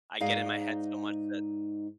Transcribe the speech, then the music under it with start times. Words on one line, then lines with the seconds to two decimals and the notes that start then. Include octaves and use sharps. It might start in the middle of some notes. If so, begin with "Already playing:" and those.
I get in my head so much that
0.20 G#2 D#4 G#4 D5 F5